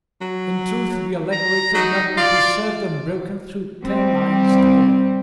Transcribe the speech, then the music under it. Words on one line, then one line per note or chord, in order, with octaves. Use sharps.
In truth the allegory could not be preserved unbroken through ten lines together.
F#3
A#5
F#3 D#4
F4 D5
G3 C4